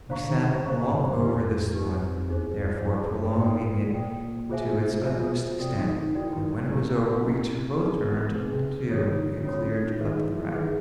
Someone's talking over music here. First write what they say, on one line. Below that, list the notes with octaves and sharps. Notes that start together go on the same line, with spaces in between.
We sat long over this one, therefore, prolonging it to its utmost extent; and when it was over, we both turned to and cleared up the wreck.
D3 C5 F5 A#5 C#6
D#3
C#3
C#3 C5 F5 A#5 C#6
G#2
G2
F2 D#4 G4 B4
D#4 G4 B4
E2 D#4 G#4 C5
F2
F2
F#2 D#4 G#4 C5
F#2
G2
G#2 A4 D5 G5
A2
A#2
A#2 A4 D5 G5
B2 F4 G#4 C5 E5 G#5
F4 G#4 C5 E5 G#5
C3 F#4 A4 D5 G5
D#3
D#3
E3 F#4 A4 D5 G5
D#3
C#3 E4 G4 A#4
C3 E4 G4 A#4
B2
C3
B2
D#4 G#4 B4
C3 D#4 G#4 B4
C3
C#3
D#3 C#4 F4 A4 C#5
D#3
D3
C3 C#4 F4 A4 C#5
C#3
D#3
D#3 G#4 B4 E5
E3
D#3 G#4 B4 E5